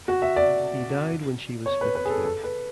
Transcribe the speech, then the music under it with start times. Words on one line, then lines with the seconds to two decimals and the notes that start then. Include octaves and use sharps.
He died when she was fifteen.
0.08 F#4
0.22 E5
0.36 D5
1.66 C#5
1.81 B4
1.95 B4
2.05 G#4
2.10 A4
2.24 A4
2.44 B4